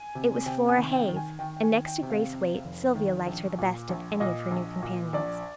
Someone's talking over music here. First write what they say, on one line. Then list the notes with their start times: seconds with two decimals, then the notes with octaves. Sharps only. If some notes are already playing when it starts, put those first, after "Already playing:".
It was Flora Hayes; and, next to Grace Waite, Sylvia liked her the best of any of her new companions.
Already playing: G#5
0.15 C3
0.46 C3 G5
0.69 G#5
0.77 D#3
0.93 G5
1.08 D#3
1.16 G#5
1.39 D#3 G5
1.57 G5
1.63 G#5
1.71 D#3
1.86 G5
2.02 C3
2.10 F5
2.33 F2
2.64 F1
2.95 D#3
3.27 A#1
3.58 A#2
3.89 A#1
4.20 A#2 D#5
4.51 A#1
4.82 A#2
5.13 A#1 D5